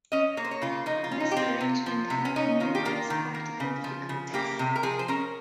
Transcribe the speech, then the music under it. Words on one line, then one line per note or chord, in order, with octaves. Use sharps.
This arrangement had numerous practical difficulties.
C#4 D#5
A#3 C#5
C5
C#5
C#3 F4
F3 D#4
F4
C#4
D#4
G4
C4 F4
C3
F3
C3
C#4
C#4 D#4
D#3 F4
G4
A#3 F4
D#3
A#3
C#3
F3
C#3
A#3 G4
C3
A#4
F3 G#4
C5
C#4 A#4